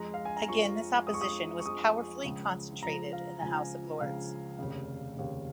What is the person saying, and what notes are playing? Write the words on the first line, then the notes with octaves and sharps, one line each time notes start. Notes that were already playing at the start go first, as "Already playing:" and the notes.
Again this opposition was powerfully concentrated in the House of Lords.
Already playing: F2 F3 G#3 A#5
F5
G#5
A#5
F2 F3 G#3 C#6
F2 F3 G#3 D#6
C#6
D#6
C#6
F2 F3 G#3 D#6
C#2 C#3 F3
C#2 C#3 F3 A#5
F5
C#2 C#3 F3 G#5
C#2 C#3 F3 F5
F1 D#2 C#3
F1 D#2 C#3